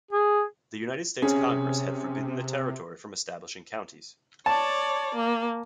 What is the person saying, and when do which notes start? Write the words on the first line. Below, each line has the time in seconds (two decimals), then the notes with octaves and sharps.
The United States Congress had forbidden the territory from establishing counties.
0.11 G#4
1.22 C3 C#4 G#4
4.46 C#5 D5 A5
5.15 A#3